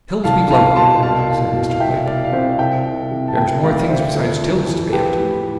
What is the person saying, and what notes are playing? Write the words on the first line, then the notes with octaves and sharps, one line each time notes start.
'Tills be blowed!' said Mr. Claypole; 'there's more things besides tills to be emptied.'
C2 F5 A5
C2 F5 A5
B2 A5 C6
C2 F5 A5
C2
B2
F5
C2 E5 G5
C2 D5 F5
F5
C3 C5 E5
C2 E5 G5
C2
C3
A5
D2 E5 G5
D2 D5 F5
D3 C5 E5
F2 A4 C5
F2
E3
A4
F3 G4 B4
A2